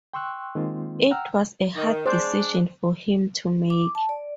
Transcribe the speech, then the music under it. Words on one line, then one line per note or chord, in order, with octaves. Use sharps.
It was a hard decision for him to make.
G5 C6 C#6 E6 F#6
D#3 G#3 A#3 C4 F4
F#5 G5 A#5 E6 F6
D#3
G#3 D4 C5
D6
A5
D5